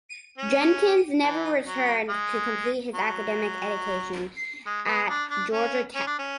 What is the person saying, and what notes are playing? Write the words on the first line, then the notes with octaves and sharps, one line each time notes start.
Jenkins never returned to complete his academic education at Georgia Tech.
C#4
E3
F#3
G#3
F#3
G#3
B3
D4
D4
C#4
C#4
D4
C#4